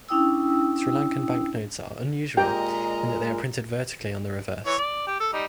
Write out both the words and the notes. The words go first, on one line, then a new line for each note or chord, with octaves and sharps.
Sri Lankan banknotes are unusual in that they are printed vertically on the reverse.
C#4 D4 E4 G5 D#6 E6
A#2 G#3 G4 A#4 D#5 G5 A#5
E3 C#5
D5
G4
A4
G3 D#4